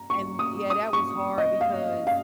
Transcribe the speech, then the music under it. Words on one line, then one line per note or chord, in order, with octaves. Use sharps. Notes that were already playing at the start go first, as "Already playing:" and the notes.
And yeah, that was hard because,
Already playing: A#5
C#6
D#6
D#6
C#6
D#5
F5
F5